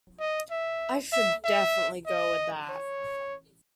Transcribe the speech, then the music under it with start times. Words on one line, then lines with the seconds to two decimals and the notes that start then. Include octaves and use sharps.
I should definitely go with that.
0.20 D#5
0.51 E5
1.13 E5
1.45 E5
2.06 D#5
2.69 C#5